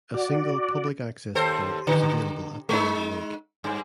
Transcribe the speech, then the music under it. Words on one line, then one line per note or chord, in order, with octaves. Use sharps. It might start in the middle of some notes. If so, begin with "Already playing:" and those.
A single public access point is available at Marl Lake.
F#4 D5
D#2 A4 C5
D3
G#3 D#4
G2